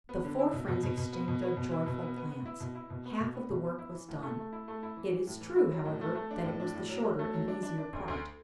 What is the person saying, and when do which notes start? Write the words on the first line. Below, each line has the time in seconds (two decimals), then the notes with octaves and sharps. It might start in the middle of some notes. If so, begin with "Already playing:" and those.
The four friends exchanged a joyful glance; half of the work was done. It is true, however, that it was the shorter and easier part.
0.09 B3
0.24 D3
0.39 E4
0.53 B2
0.68 B2
0.83 B2
0.98 B2
1.13 B3
1.28 B2
1.42 B3
1.57 B2
1.71 E4
1.86 B2
2.01 B3
2.17 B3
2.31 B3
2.46 E4
2.60 B2
2.75 E4
2.90 B2
3.05 B3
3.20 B2
3.35 B3
3.49 B2
3.65 B3
3.79 E4
3.93 E3
4.08 A2
4.22 A3
4.38 A3
4.52 E4
4.68 A3
4.83 E4
4.97 E3
5.11 E3
5.27 A2
5.41 E3
5.56 E4
5.71 F#3
5.85 A2
6.01 A3
6.15 A3
6.31 D4
6.44 A2
6.60 D4
6.75 A2
6.89 F#3
7.03 F#3
7.19 A3
7.33 F#3
7.48 D4
7.63 D4
7.78 D4
7.93 D2
8.08 D2